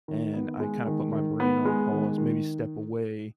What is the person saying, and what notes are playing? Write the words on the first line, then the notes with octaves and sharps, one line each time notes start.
and I kinda put my brain on pause, maybe step away,
D#3
B3
G#3
D#3
D#3
B3
G#3
D#3
D#3